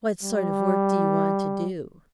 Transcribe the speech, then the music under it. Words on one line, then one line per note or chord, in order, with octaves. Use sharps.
"What sort of work do you want to do?"
G3